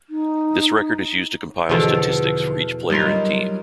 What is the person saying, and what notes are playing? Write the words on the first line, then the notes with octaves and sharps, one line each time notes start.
This record is used to compile statistics for each player and team.
D#4
E2 B2 D3 F3 A4
F#3 G3 D#4 F4 A#4